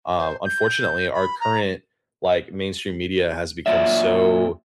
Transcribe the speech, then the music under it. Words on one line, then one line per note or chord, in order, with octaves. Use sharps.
uh, unfortunately, our current, like, mainstream media has become so
C5
G6
B5
A#5
A#2 F#3 D5 E5